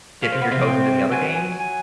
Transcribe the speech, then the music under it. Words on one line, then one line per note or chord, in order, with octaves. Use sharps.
dipping your toes into the other games?
C#4 F5
C4
B3
C3 C4
G5
F#3 G#5
G#5
G#5